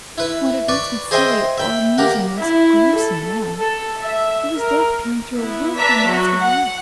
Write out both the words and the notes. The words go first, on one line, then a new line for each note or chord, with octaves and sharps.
What had once been silly or amusing was gruesome, now; it was death peering through a wilful mask of life.
E4 B4
B4 D5 C#6
G#4 C5 D#5 E5 G5 G#5
E5 G5 B5
A#3 G4 A#4 F#5
E4
A4
A4
E5
A#4
B3 E4
B4 D5 E5 A5 A#5 B6
F#3 F#4
F#5